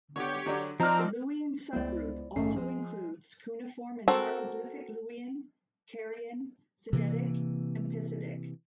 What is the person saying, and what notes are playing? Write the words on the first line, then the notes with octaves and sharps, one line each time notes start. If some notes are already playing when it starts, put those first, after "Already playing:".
The Luwian subgroup also includes cuneiform and hieroglyphic Luwian, Carian, Sidetic, and Pisidic.
D3 B3 G4 C#5
D3 F#3 D4
F3 C4 D#4 D5 A#5 F6
C#2 G#3 B3 E4 C5 D5
A#1 G#2 D#3 A3 C#4 C7
F3 G#3
C4 F#4 A4 A#4
C3 E3 A#3